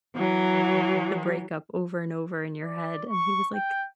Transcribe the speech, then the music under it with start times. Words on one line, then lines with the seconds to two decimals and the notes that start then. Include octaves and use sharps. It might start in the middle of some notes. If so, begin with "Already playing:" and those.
the breakup over and over in your head." And he was like,
0.15 E3 F#3
2.63 D5
3.09 C#6
3.55 G5